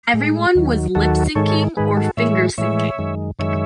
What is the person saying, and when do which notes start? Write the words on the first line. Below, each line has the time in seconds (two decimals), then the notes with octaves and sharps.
"Everyone was lip synching or finger-synching."
0.13 A2 G#3
0.55 D#2 D#3 F#3
0.95 D#2 D#3 F#3 F#4 A4
1.35 G#2 D#3 G#3 A4 C#5
1.77 G#2 D#3 G#3 G#4 B4
1.97 F#4 A4
2.17 A2 E3 G#3 C#5 E5
2.58 A2 E3 G#3 C#5 E5
2.99 F#2 D#3 G#3
3.39 F#2 D#3 G#3 C#5 E5